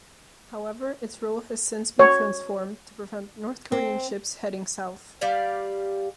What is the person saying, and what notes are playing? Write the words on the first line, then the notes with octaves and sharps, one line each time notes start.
However, its role has since been transformed to prevent North Korean ships heading south.
C#5
C4
G3 G4 D5 F5